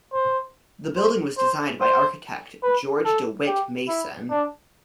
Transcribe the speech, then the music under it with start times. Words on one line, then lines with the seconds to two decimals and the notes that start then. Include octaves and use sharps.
The Building was designed by architect George DeWitt Mason.
0.13 C5
0.97 C5
1.38 C5
1.81 C5
2.63 B4
3.05 A4
3.47 G4
3.88 E4
4.30 D4